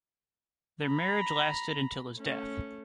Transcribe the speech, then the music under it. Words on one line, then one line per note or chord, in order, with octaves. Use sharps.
Their marriage lasted until his death.
A#5 B5
A3 C#4